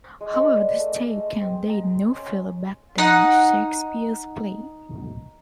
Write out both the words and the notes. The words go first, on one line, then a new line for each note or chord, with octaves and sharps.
However this tale can date no further back than Shakespeare's play.
G#3
B4
D5
A3
D#5
G#3
C4
A#5
C6
C6
C#4
D#4 F#5